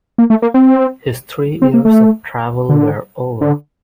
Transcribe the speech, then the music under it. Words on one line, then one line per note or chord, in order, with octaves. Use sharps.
His three years of travel were over.
A#3
A3
A#3
C4
C4
A#3
A3
D3
D3